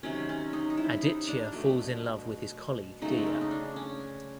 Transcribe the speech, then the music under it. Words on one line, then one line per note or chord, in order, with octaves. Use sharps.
Aditya falls in love with his colleague Diya.
C3 D#3 F#3 C#4
C#4
D#4
D#4
E4
D#4
D4
B2 F#3 A3
C#3 F#3 A3 D#4
C4
C#4
D#4
D4
C#4